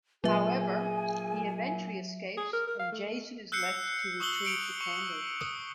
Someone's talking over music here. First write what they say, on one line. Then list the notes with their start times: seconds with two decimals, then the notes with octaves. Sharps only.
However, he eventually escapes and Jason is left to retrieve the candle.
0.24 A#2 F#3 G#4 E5 G#5
2.37 G#4
2.52 A#4
2.67 A#4
2.79 F5
2.91 A3
3.11 A3
3.52 E6 F#6 G6 C7 C#7
4.20 C#6 D#6 E6 F#7 G7
4.45 C#7 D7 F7
4.81 C#6
5.41 D#6